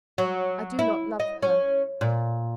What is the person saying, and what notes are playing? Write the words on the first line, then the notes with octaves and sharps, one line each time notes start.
I do not love her.
F#3
E4
D#5
C#4
A#2